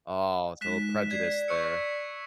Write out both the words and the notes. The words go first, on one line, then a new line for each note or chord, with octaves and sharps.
Oh, it's a little prejudice there.
G#3 D#4 F#6 B6 E7
D5 G#6 C7
C#6 E6 C#7